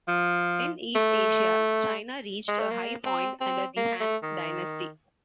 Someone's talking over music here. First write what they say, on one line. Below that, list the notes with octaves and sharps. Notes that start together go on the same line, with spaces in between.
In East Asia, China reached a high point under the Han Dynasty.
F3
A3
G#3
A3
A#3
C4
C4
A#3
A3
D#3